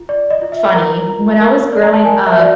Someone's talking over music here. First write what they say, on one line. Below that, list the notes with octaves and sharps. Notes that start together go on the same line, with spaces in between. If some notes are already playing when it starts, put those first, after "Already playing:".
funny, when I was growing up,
Already playing: F4
D5
D#5
F4
E5
A#4 A#5
F4
A#4
D5
A#5
A5
A#4 G#5
E5
F#4 D5